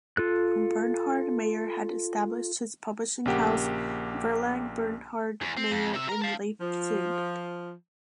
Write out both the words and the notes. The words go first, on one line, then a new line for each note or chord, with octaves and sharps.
Bernhard Meyer had established his publishing house "Verlag Bernhard Meyer" in Leipzig.
F4 A4 F#6
A#1 C#3 A#3 G4 F#5
E2
C4
F2
C3 E5
A#4 A#5
F5 A5
F3